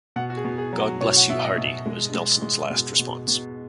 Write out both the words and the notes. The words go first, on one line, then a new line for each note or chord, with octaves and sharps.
"God bless you Hardy" was Nelson's last response.
B2 F#5
F#4
G#4
B2
G#4
F#3
F#4
B2 C#5
F#5
B2 E5
D#5
B2
G#3
G#3
G#3
B2
B2
B2